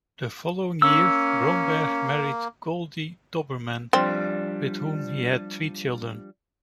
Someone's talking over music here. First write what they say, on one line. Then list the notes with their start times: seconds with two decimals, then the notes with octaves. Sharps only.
The following year, Bromberg married Goldie Doberman, with whom he had three children.
0.82 A#3 C#4 E6
3.93 F3 G3 C4 D4